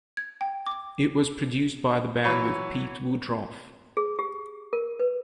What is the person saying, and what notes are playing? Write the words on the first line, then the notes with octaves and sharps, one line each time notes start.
It was produced by the band with Pete Woodroffe.
G#6
G5
D6
E3 F#3 B4 C#5
G#4
G4
A#4
B4